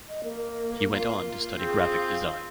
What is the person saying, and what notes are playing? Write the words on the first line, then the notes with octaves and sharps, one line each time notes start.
He went on to study graphic design.
D#5
A#3
F4
C4 G#4